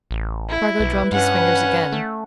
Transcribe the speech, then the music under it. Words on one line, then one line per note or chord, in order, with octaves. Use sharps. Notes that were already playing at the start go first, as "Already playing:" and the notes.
Spargo drummed his fingers again.
A1
E4
B1 B4
G2 C#4 F#5
A3